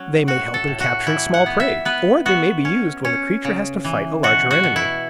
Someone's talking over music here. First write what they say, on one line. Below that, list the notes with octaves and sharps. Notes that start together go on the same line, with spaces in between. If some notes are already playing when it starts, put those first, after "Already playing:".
They may help in capturing small prey, or they may be used when the creature has to fight a larger enemy.
Already playing: F#3 C#4
A2 F#4
A4
A2
F#4
E3 E4
F#5
B3
E5
B3 B4
B3 F#4
C#4
C#4
C#3
E3
B2 F#4
F#4
B2
E4